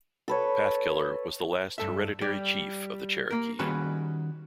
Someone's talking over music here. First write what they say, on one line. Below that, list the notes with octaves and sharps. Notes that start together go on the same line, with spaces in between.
Pathkiller was the last "hereditary chief" of the Cherokee.
A4 B4 C#5
G2 A4 E5
G3 D5
A#3 A#4
D#3 G3 C#4 F#4 G#4 B4